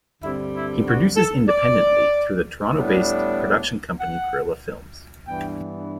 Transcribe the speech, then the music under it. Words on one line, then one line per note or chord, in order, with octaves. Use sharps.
He produces independently through the Toronto-based production company Guerrilla Films.
G2 D3 G3 C4 E4
E4
F#4
A4
D5
A2 G3 B3 D4
F#5
G2 E3 B3 D4 G5